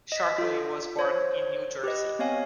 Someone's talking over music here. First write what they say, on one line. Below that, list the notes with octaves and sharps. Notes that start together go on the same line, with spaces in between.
Scharpling was born in New Jersey.
D#5 B6
F4 A4
C5 C#5
G4 B4 D#5
B3 C4 C#5 D#5 F5 G#5